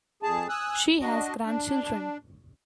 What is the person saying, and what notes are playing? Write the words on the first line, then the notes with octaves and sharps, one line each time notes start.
She has grandchildren.
F2 G#4 A5
G#5 D#6 E6 F#6
D4 F#4 D#5
D4